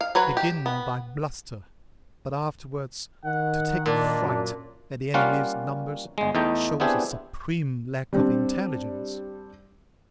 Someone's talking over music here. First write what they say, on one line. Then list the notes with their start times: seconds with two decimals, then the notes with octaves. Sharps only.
To begin by bluster, but afterwards to take fright at the enemy's numbers, shows a supreme lack of intelligence.
0.01 F5
0.15 F#3 B4 C#5
0.37 G4
0.66 B3
3.25 D#3 F#5
3.86 A#2 D4
4.20 F#2
5.14 G3 A#3 C#4 F4 F5 F#5
6.18 G1 G#3
6.35 E2 A3 D#4 G5
6.80 B3 C4 D4 E4 G4 G#4
8.13 G3 C4 D4